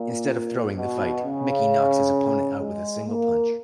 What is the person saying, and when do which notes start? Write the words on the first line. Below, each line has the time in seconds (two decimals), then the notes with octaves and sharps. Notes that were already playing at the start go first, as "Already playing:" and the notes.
Instead of throwing the fight, Mickey knocks his opponent out with a single punch.
Already playing: A#2
0.78 B2
1.24 C#3
2.60 G#3
3.06 A#3